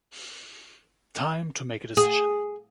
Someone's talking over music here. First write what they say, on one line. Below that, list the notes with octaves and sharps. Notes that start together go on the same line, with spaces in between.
Time to make a decision.
G#4